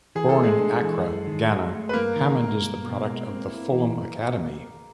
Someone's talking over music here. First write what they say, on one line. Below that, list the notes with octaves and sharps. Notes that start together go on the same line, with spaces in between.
Born in Accra, Ghana, Hammond is a product of the Fulham Academy.
E3 G#4
A4
A3
G#3 G#4
D4
E3
F#2
D#3
F#3
A3
B4
G2 A#3 A#4
D#3
G#3
G2
B2
G#3
C4
E4
E3